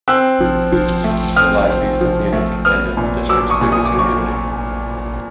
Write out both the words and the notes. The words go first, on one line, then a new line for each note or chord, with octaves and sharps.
It lies east of Munich and is the district's biggest community.
C4 E6 F#6
F3
F3
A3
C4 D#6 F6
C4
F3
A3
B3 D#6 F6
A#2
F#3 D6 E6
C#6 D#6
A#2
D#6
D6
F#3
C#6